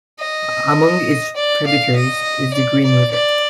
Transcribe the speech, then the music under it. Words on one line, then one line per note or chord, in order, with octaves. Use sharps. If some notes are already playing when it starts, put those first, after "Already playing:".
Among its tributaries is the Green River.
D#5
D5
F5
D#5
D5
D5
D5